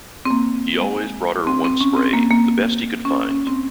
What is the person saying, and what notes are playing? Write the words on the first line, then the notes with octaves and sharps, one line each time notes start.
He always brought her one spray, the best he could find.
C4
A#3
G#3
C4
C4
C#4
C4
A#3
A#3
C#4
C#4
C4